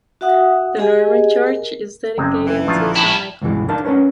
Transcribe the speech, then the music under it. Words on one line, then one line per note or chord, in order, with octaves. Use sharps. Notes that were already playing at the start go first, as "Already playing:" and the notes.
The Norman church is dedicated to Saint Michael.
F#4 E5 F#5 D#6
G4 G#4 D#5 G#5
A#4
F#1 C3 G#3 C4
G2 E3
A#1 D3 D#3 F4
A2 E4 A#4 G#5
C#2 G2 B2 E3 G#3
D4 D#4 A#4 F5 A5
C#4 D#4 A#4 B4 C#5